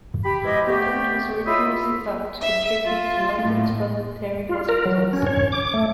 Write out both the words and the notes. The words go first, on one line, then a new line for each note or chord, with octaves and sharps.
The fund was originally set up to contribute to London's voluntary hospitals.
G4 B5
B2 F3 G#3 E4 G4 D#5
D3 A3 B3 G4
E4 F4 C#5 D#5 B5 E6
E5
F4
A2
F4
A#4
F#3
C#4
C#5
D6
A3